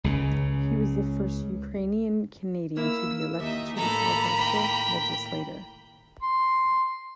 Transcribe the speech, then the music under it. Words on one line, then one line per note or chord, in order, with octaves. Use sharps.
He was the first Ukrainian Canadian to be elected to the Alberta Legislature.
C#2 C#3
A#3 E4 E6
D#2 D#4 E5
D#2 A2 A#3 A4 A#5 B5
G5
C6